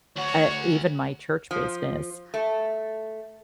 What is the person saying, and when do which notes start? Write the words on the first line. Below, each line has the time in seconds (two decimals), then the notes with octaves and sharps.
uh, even my church business.
0.17 D2 F#4 C#5
1.51 F3
2.34 A3